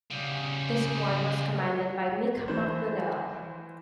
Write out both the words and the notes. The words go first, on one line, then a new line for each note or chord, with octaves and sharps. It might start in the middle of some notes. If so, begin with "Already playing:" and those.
The Squad was commanded by Mick McDonnell.
C#3 G3
E3 C5